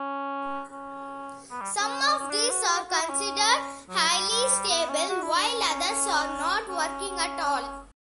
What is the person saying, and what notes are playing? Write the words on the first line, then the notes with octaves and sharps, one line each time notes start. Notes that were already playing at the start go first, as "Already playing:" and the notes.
Some of these are considered highly stable while others are not working at all.
Already playing: C#4
C#4
B3
G3
C#4
C#4
D4
F#4
G4
F#4
E4
C#4
F#3
G3
G3
B3
C#4
F#4
E4
D4
C#4
C#4
C#4
C#4
C#4